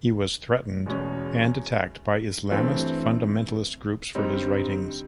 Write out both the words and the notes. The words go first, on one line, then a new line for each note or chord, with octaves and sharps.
He was threatened and attacked by Islamist fundamentalist groups for his writings.
E2 B2 G#3 C#4
G2 E3 A3 C4
G2 D3 G3 C4 D#4